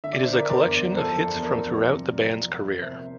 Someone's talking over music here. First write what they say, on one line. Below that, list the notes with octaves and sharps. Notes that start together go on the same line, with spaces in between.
It is a collection of hits from throughout the band's career.
D3 E5
D5
C5
D3 A#4 D5
A#4 D5
E2
F3 A4 C5
E2
A#4 D5
F3
C2
F3
F3
C3 C5 E5